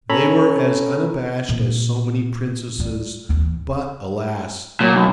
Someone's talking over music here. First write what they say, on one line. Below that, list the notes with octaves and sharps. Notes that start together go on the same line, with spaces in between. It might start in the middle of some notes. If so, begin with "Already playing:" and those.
They were as unabashed as so many princesses, but, alas!
C#4 A4 C#5 A#5 B5
A#2 C#3
G3 F4
D#2 E3
A#2 F#3
B1